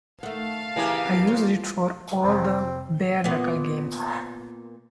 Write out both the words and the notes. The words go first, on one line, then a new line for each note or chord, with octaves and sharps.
I used it for all the "Bare Knuckle" Games.
D#3 A3 F5 F#5 A5
C#3 E3 A#3 G4
F4 C5 C#5
F2 C3 C4
A#2 B3